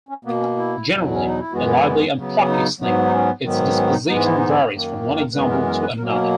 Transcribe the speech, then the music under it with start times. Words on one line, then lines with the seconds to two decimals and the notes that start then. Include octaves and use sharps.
Generally a lively and plucky snake, its disposition varies from one example to another.
0.09 C#4
0.25 B2 A#3 B3
0.41 C#4
0.57 E4
0.88 E2 B2 F#3
1.11 C#4
1.26 D#4
1.40 E4
1.52 F#2 E3 G#3 B3 F#4
1.68 E4
2.16 C#3 F#3 B3
2.48 D#4
2.80 G#2 F#3 B3
3.06 D#4
3.11 C#4
3.43 G#2 D#3 F#3 B3
3.76 C#4
3.92 D#4
4.08 G#2 E3 G#3 B3 D#4
4.23 E4
4.36 D#4
4.49 E4
4.70 F#2 D#3 A#3
5.19 A#4
5.34 F#2 E3 G#3 B3 B4
5.50 A#4
5.67 A#4
5.82 B4
5.98 B2 F#3 A#3 A#4
6.15 A#4